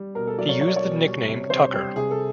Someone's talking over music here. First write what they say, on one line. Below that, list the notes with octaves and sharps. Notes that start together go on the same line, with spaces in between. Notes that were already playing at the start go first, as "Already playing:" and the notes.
He used the nickname Tucker.
Already playing: G3
B2 A#4
A4
F#3 D5
C#5
F#3 C#5
D5
C#5
B2
G3
C3
C3 C5
G3 G4
C3 G#4
A4